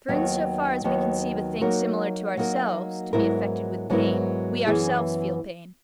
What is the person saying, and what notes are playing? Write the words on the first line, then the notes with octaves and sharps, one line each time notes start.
For in so far as we conceive a thing similar to ourselves to be affected with pain, we ourselves feel pain.
D#2 D#3 F#3 B3
D#2 D#3 F#3 B3
F#3 A#3 D#4 F#4 A#4
F#3 A#3 D#4 F#4 A#4
G#2 F#3 B3 E4 A#4
G#2 F#3 B3 E4 A#4
F#2 E3 B3 E4 G#4